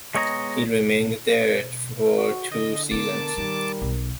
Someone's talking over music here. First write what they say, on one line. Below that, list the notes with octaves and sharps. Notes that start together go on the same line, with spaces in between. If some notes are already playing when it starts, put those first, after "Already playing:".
He remained there for two seasons.
G#3 B3 C#5 D#5 A#5
F#4
D3 D#5
A3 B3 A#4 A5 D6
D#3 G3 D#4
B1